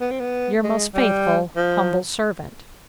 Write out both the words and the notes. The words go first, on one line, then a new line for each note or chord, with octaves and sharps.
'Your most faithful humble servant.'
B3
C4
B3
G#3
G3
F3